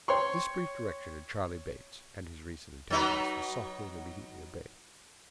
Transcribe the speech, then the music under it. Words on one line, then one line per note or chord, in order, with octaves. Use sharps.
This brief direction to Charley Bates, and his recent antagonist, was softly and immediately obeyed.
C#5 G5 C6 C#6
F#3 D#4 B4